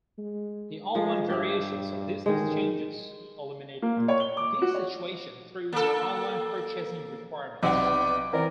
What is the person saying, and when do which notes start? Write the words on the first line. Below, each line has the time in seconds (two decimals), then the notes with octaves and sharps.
The online variations of these exchanges eliminate this situation through their online purchasing requirements.
0.18 G#3
0.95 F3 G#3
1.30 G2 G4 E5
2.26 A1 D#3 G#3
3.82 A#3
3.96 A#2
4.08 C#5
4.20 G7
4.37 D6
4.62 F#4
4.74 C#5
5.73 A#3 A4
7.63 B1 C3 B3 D5 F#5
8.33 E3 C4 A#4 D5